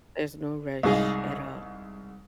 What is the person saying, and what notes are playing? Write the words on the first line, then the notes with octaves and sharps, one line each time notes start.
There's no rush, at all.
C2 G#2 G#4 D#5 F5